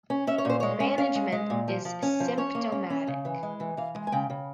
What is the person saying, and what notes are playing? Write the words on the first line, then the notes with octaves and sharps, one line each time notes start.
Management is symptomatic.
C#4
C#4 E5
C#5
A#2 C5
G#3 C#5
C#4
C#4 F5
G#3
G#3
A#2
F3
F3
C#4
F3
C5
C#4 C#5
A#3
C#4
C#4
C#3
E3
G#3
E3
E3 F5
G#3
G#5
C#3 G5
C#3